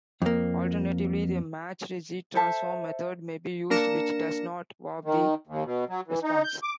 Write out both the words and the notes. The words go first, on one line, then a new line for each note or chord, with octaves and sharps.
Alternatively, the Matched Z-transform method may be used, which does not warp the response.
F2 A#3
A4 C5 E5 A5
A#3 D4 A#4 A#6 C#7 E7
D#3
D#2
B2
F#3
E3
D#4
G6
D6